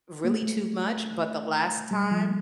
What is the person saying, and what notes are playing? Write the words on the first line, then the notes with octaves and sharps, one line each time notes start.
really too much, but the last time
A#3
A3
G3
F3